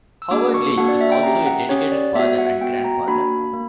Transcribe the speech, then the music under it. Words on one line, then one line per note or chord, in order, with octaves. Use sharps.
Howard Leach is also a dedicated father and grandfather.
E6
A#3 D4 F#4 D6
C#6
A#3 D4 F#4 F#5
D5
E5
G5
C#4 G4 A#5
F#5
C#4 G4 C#5
D5
B3 F#4 E5
F#5
B3 F#4 G5
A#5
A#3 D4 F#4 B5
A#3